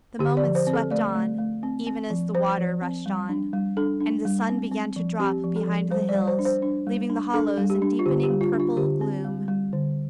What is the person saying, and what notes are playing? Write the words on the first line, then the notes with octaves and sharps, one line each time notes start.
The moments swept on, even as the water rushed on, and the sun began to drop behind the hills, leaving the hollows in deepening purple gloom.
D3 G4
D5
F3
C5
C4
A4
A3 D5
A3
A3
C4
C4
F3
F3 C5
F3
C4
G3
D4
G3
D4 A4
D4
G3
C4
C4
F3
C4 G4
F3
A4
F3
G3 C5
D5
G3
C5
D4
C5
D4
G3
D4
D4 A4
G3
G4
D4
F4
D3 G4
G4
G3
F4
D4
F4
D3 G4
C4
G3
G3
D3